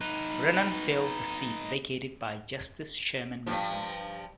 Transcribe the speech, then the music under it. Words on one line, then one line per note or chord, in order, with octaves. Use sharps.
Brennan filled the seat vacated by Justice Sherman Minton.
D#4 B4
G2 F3